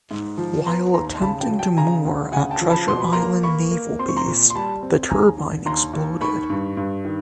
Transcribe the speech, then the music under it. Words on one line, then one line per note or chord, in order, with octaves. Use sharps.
While attempting to moor at Treasure Island Naval Base, the turbine exploded.
G#2
F3
B3 A#5 C6
D#2 A#5 C6
C6
C#3 A5 B5
G5 A5
F#3
G5 A5
C#3 G#5 A#5
D2
C#3 F#5 G#5
G5 A5
F3
A5 B5
B2 C6
B5
A#3 A#5 C6
A#3 B5 C#6
A#3
C4 C6
C#6
A#5 C6
A#2
C6
G3 A5 B5
C4
D#2 G#5 A#5
D3
D#2 A#5 C6
D#2
D#3 B5 C#6
G2
G2
D#3